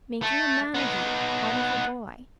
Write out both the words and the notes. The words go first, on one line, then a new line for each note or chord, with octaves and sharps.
Making a man of you, out of a boy.
A3
B3 D#4